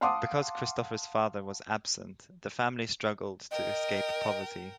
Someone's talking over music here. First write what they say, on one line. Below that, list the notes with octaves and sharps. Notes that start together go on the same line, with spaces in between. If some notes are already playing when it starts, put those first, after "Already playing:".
Because Christopher's father was absent, the family struggled to escape poverty.
F5 F#5 A5 C6 D6 D#6
A#4 D#5 G5